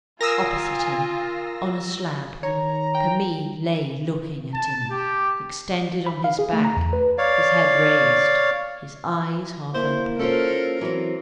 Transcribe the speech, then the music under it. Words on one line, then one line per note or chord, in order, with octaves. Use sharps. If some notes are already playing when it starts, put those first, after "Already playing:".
Opposite him, on a slab, Camille lay looking at him, extended on his back, his head raised, his eyes half open.
F4 A#4 G#5 D#6 E6 A#6 C7
D#3 C#5 A#5
G5
A5
G4
B5
F5
G#4
A3
A#5
E2
B4
C#5 D5 F5
A#3 E4 C5
C#4 F4 A4 A#4 C5
E3 F#3 C4